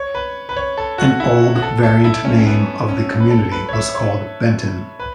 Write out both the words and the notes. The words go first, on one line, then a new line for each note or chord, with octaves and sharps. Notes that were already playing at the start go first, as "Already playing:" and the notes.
An old variant name of the community was called Benton.
Already playing: C#5
B4
B4
C#5
A4
F#4
E4
F#4
A4
A4
E4
C#4
C#4
B3
C#4
B4
A4
B4
C#5
E5
C#5
B4